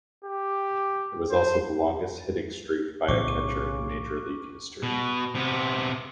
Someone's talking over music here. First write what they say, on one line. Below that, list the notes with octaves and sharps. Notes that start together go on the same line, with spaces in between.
It was also the longest hitting streak by a catcher in major league history.
G4
C5
B1 A2 C#3 E3 C#6 D6
B2
C3 B3